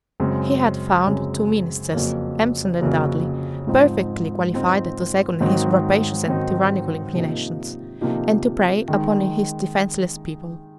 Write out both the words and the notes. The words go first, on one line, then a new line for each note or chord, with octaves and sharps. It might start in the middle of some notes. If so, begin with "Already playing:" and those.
He had found two ministers Empson and Dudley, perfectly qualified to second his rapacious and tyrannical inclinations, and to prey upon his defenceless people.
F#2 C#3 G#3 C4
F#2 C#3 G#3 C4
F2 C#3 F#3 A#3
F2 C#3 F#3 A#3
G#2 F3 C4 D#4
G#2 F3 C4 D#4
G#2 D#3 F#3 C4 D#4
G#2 D#3 F#3 C4 D#4
C3 F3 A#3 D#4
C3 F3 A#3 D#4
D#3 G#3 D#4